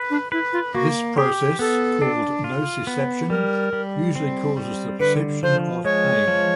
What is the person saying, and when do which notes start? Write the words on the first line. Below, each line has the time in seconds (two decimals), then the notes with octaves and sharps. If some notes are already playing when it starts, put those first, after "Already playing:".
This process, called nociception, usually causes the perception of pain.
Already playing: B4
0.10 D4
0.32 E4 B4
0.53 F4
0.74 A#3 F#4
1.17 G4 G#4
1.59 B3 A4
2.02 D4
2.44 F4
2.87 B3
3.30 G3 A#4
3.73 G3
4.15 C4
4.57 G3
4.99 D3 B4
5.43 F3 C5
5.85 G#3 C#5
6.28 F3